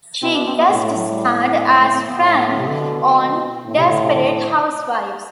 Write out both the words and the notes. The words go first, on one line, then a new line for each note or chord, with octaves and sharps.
She guest-starred as Fran on "Desperate Housewives".
B2 C4
D4
C4
B3
A2 A3
A3
F#3
G3
A3
C4
B3
A2
C3
B2 D3
A2
C3
D3
C3
D3